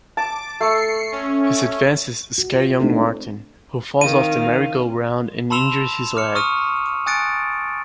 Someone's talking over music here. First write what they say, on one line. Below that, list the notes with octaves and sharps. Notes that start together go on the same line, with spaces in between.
His advances scare young Martin, who falls off the merry-go-round and injures his leg.
A5 D6
A3 C7 C#7
C#4
F#4
F4
G#3 A3 C4 D4 D#4 A4
D#3 C4 F5 D#7
A5 B5 C6 E6 E7 F7
D6 F6 C#7
C#6 D#6 F6 D#7
G#5 D#6 F#6 A6 C#7 D7